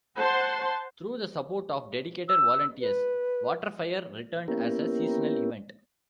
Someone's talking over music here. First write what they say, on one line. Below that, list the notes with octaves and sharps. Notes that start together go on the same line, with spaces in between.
Through the support of dedicated volunteers, WaterFire returned as a seasonal event.
C5 F#5 A5 C6
E6
B4
A#3 B3 C#4 E4 G4 A#4